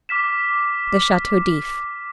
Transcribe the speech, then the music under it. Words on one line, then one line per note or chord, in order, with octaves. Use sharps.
The Chateau D'If.
D6 F6 B6 E7